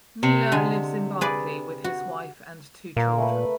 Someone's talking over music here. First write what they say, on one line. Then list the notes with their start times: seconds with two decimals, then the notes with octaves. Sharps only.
Miele lives in Berkeley with his wife and two children.
0.23 C3
0.52 D3 G#3 G#5
1.21 G#4 B4 D5
1.84 F#4
2.96 A#2 A#3
3.18 A3 B4